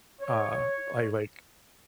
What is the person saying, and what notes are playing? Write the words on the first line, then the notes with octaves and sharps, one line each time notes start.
Uh, I like
C#5